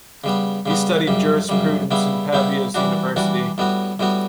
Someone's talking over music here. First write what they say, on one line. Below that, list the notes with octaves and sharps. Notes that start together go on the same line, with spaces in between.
He studied jurisprudence in Pavia's university.
C#3 G3 B3
C#3 G3 B3
F#2 C#3 G3
F#2 C#3 G3
C#3 G3 B3 E4
C#3 G3 B3 E4
E3 G3 D4 F#4
E3 G3 D4 F#4
A2 G3 B3 F#4
A2 G3 B3 F#4